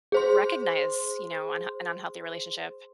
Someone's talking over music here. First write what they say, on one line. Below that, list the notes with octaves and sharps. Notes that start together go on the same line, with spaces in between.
recognize, you know, unh an unhealthy relationship
G#4 C5 C6